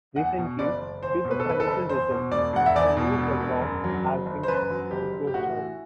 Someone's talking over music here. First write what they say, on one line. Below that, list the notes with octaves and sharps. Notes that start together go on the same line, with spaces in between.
Recently, due to financial reasons, the New Curzon has been forced to close down.
E2 F#5
B2
F#1 D5
F#1
E2 C5
B2
B4
A4
F#1 B4
A4
F#1
E2 C5
B2
E1 D5
E1 F#5
E5
E2 D5
B2
E1
E1
F#2
F#3
F#1
F#1
C5
F#2 B4
F#3
F#1 G4
F#1
G4
A2 F#4
E3